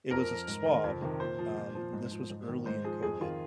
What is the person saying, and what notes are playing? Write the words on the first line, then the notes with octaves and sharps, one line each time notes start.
it was a swab, um, this was early in COVID,
F2 A#4
F3
G#2
D#3
F2
C3 D#3
A#2 C5
F3
A#2
F3
G#2
F3
G#2
D#3
G#2 C5
F3 G#4
F2 G#4
D#3 F4